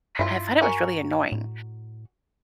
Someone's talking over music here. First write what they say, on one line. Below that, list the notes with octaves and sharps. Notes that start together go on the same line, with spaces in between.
I I thought it was really annoying,
G2 E4 F4
F#4 A#4 G#5
A2